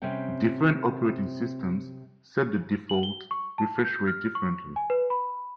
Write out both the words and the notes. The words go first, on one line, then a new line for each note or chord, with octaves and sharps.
Different operating systems set the default refresh rate differently.
C3 G3 C4 C#4 G5
F#7
G7
C#6
A5
G6
F6
C#6
G#5
B4
B5